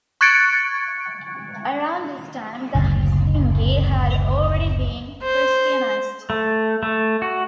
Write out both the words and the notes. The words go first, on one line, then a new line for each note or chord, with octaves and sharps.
Around this time, the Hasdingi had already been Christianized.
C#6 F#6 G#6 A6 C#7 D7
F#1 D2 A2
C5
A3
A3
F#4